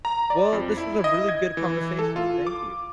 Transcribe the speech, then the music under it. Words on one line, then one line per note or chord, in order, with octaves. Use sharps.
Well, this was a really good conversation. Thank you.
A#5
D5
F2
E4
D#5
G#6
E3
A4
F4
D6